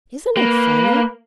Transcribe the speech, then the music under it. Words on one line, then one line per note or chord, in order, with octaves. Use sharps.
Isn't it funny?'
A#3 B4